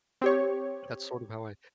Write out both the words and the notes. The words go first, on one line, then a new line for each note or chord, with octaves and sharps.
That's sort of how I
C4 G4 C#5